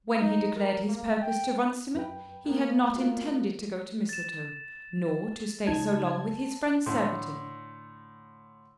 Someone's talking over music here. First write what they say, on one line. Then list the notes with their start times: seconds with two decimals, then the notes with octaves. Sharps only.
When he declared his purpose to Runciman, he had not intended to go to Mistletoe, nor to stay so long with his friend Surbiton.
0.20 D#4
0.56 A#4
0.89 A#3
1.22 G5
1.95 F#2 B4 G5
2.44 A#3 B3
2.95 A3 F4 F#4
4.09 A6 E7
5.67 C#2 D#4 A5 G#6
6.86 A2 D3 C6